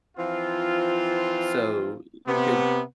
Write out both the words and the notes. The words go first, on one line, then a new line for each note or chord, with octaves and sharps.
so, you could
E3 F3 C4 F4
C3 B3